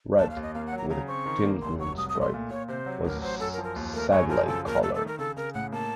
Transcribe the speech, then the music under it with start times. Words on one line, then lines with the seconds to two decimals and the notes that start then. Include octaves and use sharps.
Red, with a thin green stripe, was the Sedleigh color.
0.19 D#2 A5
0.31 F5
0.37 D#2
0.43 D#5
0.55 A#3 F5
0.67 F#5
0.72 F#3
0.78 A#5
0.90 C#3 A#5
1.08 C4 C#6
1.26 D#3
1.43 A#3
1.62 F1 C6
1.80 F#3 C#6
1.98 C2 D#6
2.09 D#6
2.15 A3
2.21 C6
2.34 A#2
2.50 A#2 C#5
2.68 C3 C5
2.86 F#3
3.04 A1 A#4
3.22 F#3 C5
3.40 F#2 A4
3.53 A#4
3.58 F3
3.64 A#4
3.76 D#2
3.93 A3 A#4
4.12 F#2 C#5
4.29 F3 A#4
4.47 C#3 A4
4.66 D#2 A#4
4.83 A3 A4
4.95 A4
5.00 D#3
5.08 A#4
5.19 C#3 A4
5.37 C#3 A#4
5.54 A2 F#5
5.73 A#3 A5